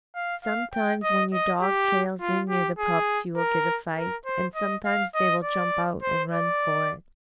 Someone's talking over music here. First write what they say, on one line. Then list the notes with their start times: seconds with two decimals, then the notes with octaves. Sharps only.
Sometimes when your dog trails in near the pups you will get a fight, and sometimes they will jump out and run for it.
0.15 F5
0.44 F5
0.74 G5
1.03 D#5
1.33 D#5
1.62 G4
2.21 F4
2.49 G4
2.79 G#4
3.37 A#4
3.96 A#4
4.26 C5
4.56 D#5
4.85 F5
5.15 D#5
5.43 D5
6.02 C5
6.31 D5